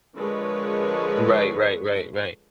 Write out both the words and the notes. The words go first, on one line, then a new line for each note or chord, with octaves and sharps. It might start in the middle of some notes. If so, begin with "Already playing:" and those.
Right, right, right, right.
D3 F3 G#3 A#4 B4 C#5